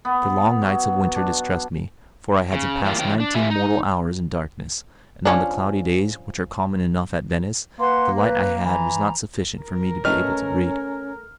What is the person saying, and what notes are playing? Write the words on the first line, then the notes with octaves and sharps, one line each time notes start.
The long nights of winter distressed me, for I had to pass nineteen mortal hours in darkness; and on the cloudy days, which are common enough at Venice, the light I had was not sufficient for me to be able to read.
B3
F#3
D4
C#3
E3 G3 A3 A#3 F4
C#3 E3 G5
D4
E4 F4 G4 E5 G#5
D#4
F3 C#4 D4
A#3 B4 F#5 C6
B4
E3 A#5
A#4
A3 C#4 B4 C#5 D#5 F6